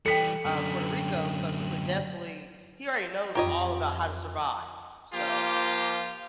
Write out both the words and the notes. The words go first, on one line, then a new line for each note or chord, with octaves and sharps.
um, Puerto Rico, so he would definitely he already knows all about how to survive, so,
E3 G3 A4 G5 B6 C#7
F#2 D3
F2 F4 G4 C#5 D#5 A#5
F3 A#3 F4 G4